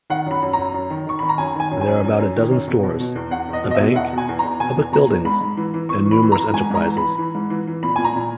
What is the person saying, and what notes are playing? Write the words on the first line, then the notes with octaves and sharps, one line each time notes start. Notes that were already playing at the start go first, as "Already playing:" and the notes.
There are about a dozen stores, a bank, public buildings and numerous enterprises.
D#3 F#5
F#2 B5
F#2
F#2 A#5
F#2
D#3
D#3 C#6
D#3 B5
A#5
F#2 G#5
D#3 G#5
F#2
G#5
F#2
F#2
F#2
D#3
F#2
B2
B2
B2
E2
E2 F#5
E2 D#5
B2
D#5
E5
B2
E2 F#5
B2 G#5
E2
A#5
E2
B2 G#5
E2
B2 A#5
E2
G#2 B5
G#2
E3
E3
E3 C#6
E3
B5
E3
A#5
E3
G#2 G#5
G#2 A#5
E3
B5
E3
E3
G#2
E3
E3
A#2 B5
A#2 G#5
A#5
A#2